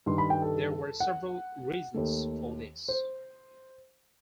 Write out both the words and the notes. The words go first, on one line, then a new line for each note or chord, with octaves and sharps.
There were several reasons for this.
G2 D#3 G3 C6
B5
G5
A4
F#5
D#2 D#3 A3
C5